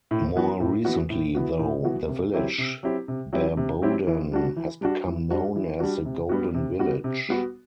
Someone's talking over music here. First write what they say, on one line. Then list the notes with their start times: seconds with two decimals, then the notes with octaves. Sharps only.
More recently though the village Barbodhan has become known as the 'Golden Village'.
0.11 A2
0.36 E3 B3 F#4
0.60 A2
0.85 E3 B3 F#4
1.10 A2
1.35 E3 B3 F#4
1.59 A2
1.84 E3 B3 F#4
2.09 C3
2.34 F#3 C4 E4 G4
2.58 C3
2.83 F#3 C4 E4 G4
3.08 C3
3.33 F#3 C4 E4 G4
3.57 C3
3.82 F#3 C4 E4 G4
4.07 E3
4.32 G3 D4 F#4
4.56 E3
4.81 G3 D4 F#4
5.06 E3
5.31 G3 D4 F#4
5.56 E3
5.80 G3 D4 F#4
6.05 C3
6.29 G3 B3 F#4
6.54 C3
6.79 G3 B3 F#4
7.04 C3
7.29 G3 B3 F#4